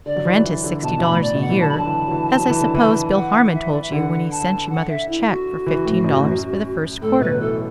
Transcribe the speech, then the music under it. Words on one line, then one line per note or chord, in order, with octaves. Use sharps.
The rent is sixty dollars a year, as I suppose Bill Harmon told you when he sent you mother's check for fifteen dollars for the first quarter.
D3 D5
F#3
E3
F#3
E3
D3
B2 A5
B2 B5
A2
D5
B2
F#5
E3
F#3 A5
B5
D3 A5
E3
F#3
E3
F#3
E3
D3
E3
F#5
E5
D5
E5
D3 F#5
A5
F#5
E5
E4
F#4
E3
A2
F#2
A2
F#2
A2 A4
B2 B4
F#3
E3 A4